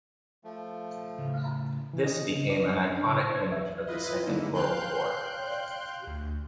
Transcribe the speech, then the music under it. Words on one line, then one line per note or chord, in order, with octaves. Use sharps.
This became an iconic image of the Second World War.
F3 A3
A2 C#3
E3
D#5
B3
C#3
D5
D#5
C#4
D4
C#3
C5
G#6
E5
E4 F4 B4 D#5
D3 G#3 A#3 D#4 E4
F5 G5 C6 F#6 G6
D2